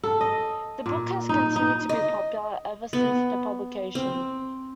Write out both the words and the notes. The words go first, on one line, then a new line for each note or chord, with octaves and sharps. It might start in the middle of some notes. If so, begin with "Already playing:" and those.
The book has continued to be popular ever since its publication.
A4
D#5
A#2
D#4
D#4
D#5
B3
C4